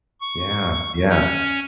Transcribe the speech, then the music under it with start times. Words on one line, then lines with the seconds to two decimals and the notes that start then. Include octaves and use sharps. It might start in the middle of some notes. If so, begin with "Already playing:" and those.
yeah, yeah.
0.21 C#6
1.09 C#4